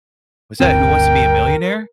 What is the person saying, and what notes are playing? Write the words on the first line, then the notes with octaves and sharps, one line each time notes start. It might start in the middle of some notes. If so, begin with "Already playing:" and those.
was that, Who Wants to Be a Millionaire?"
G1 D2 C4 A#4 G5